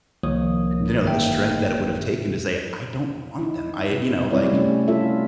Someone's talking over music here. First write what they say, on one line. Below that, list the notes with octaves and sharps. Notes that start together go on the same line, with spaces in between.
th you know, the strength that it would've taken to say, "I don't want them, I you know, like,
C2 D#3 F3 A#3 C#5 D#6
G1 D#3 A#3 D#4 E5 G5
D#4 E4
C3
G3 C4 E4 C#5 D5
C3 G3 A3 C#4
E4 F4 A4 E5